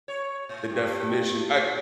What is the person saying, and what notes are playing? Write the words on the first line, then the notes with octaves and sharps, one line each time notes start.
the definition I
C#5
A2
G2